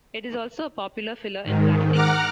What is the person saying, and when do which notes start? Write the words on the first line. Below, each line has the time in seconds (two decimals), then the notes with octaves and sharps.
It is also a popular filler in plastics.
1.44 G#2 D#3
1.92 F#5 A#5 D6 F6 F#6